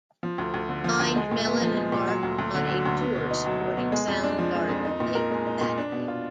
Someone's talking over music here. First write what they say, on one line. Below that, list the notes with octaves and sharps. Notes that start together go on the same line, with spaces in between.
Blind Melon embarked upon a tour supporting Soundgarden late that year.
F3
D2
D2
D3
F3
D2
G#3
A#2
B3
F3
G#3
A#2
F#3
D2
D2
D3
F#3
D2
B3
B2
D#4
F#3
B3
B2
G#3
F2
D4
F3
G#3
F2
D#4
A#2
A#4
G#3
D#4
A#2
D4
B2
F4